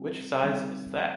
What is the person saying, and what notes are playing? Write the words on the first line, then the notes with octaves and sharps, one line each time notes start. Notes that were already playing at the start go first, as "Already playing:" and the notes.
Which size is that?
Already playing: G3 C4
D#3 G3 C4